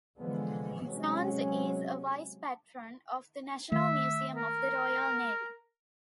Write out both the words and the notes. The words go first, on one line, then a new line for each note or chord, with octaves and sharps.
Jones is a Vice-Patron of the National Museum of the Royal Navy.
D3 E3 F3 G#3 B3
C3 F#3 G#3 C#4
D#3 A3 E5
A#4